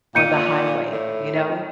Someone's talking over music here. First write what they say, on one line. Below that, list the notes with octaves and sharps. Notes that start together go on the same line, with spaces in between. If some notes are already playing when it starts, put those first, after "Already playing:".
or the highway, you know?
A#2 G6 C#7 D#7
A2